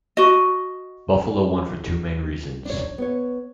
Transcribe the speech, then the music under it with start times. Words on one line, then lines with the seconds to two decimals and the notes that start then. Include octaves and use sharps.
Buffalo won for two main reasons.
0.17 F#4 D#5
2.65 D4 C#5
2.98 B3 C#5